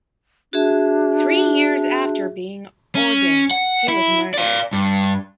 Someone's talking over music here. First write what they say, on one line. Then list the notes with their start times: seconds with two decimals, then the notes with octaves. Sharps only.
Three years after being ordained, he was murdered.
0.53 D4 F#4 G#4 E5
2.95 C#4
3.51 F#5
3.88 E4
4.34 D5 F5
4.73 G2